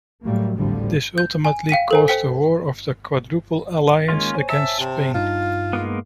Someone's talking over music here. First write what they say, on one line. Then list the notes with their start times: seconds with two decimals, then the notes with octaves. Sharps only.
This ultimately caused the War of the Quadruple Alliance against Spain.
0.23 A2 F#3 G3 A3 A#3
0.56 G#1 D2 A2 D3 F3 G3
1.18 G6
1.45 G#5
1.69 F5 G5 B6 D#7
1.91 A4 C5 G#5
2.08 C5 G5 B6
4.08 D#3 G#3 A#3 C#4 F4
4.34 C5 C#5 G#5
4.49 E5 A5
4.79 C3
5.14 G2 D#4 F4
5.73 G#3 A#3 B3